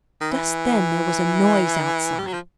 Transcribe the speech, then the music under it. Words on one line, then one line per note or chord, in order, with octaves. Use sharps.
Just then there was a noise outside.
D#3
E3
G3
F#3
F3